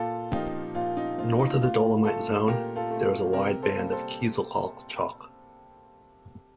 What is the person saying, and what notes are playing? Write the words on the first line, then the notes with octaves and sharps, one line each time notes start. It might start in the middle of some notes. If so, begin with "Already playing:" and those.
North of the dolomite zone, there is a wide band of Kieselkalk chalk.
Already playing: A#2 F4 A4
F3 A#3 D#4 G4
A#2 F4
D#4
F3 A#3 F4
D#4
A#2 F4
A3 F4 A4
A#2 G4 A#4
F4 A4
A3
C3 G4 A#4
A4 C5
G3 A#3
A4 C5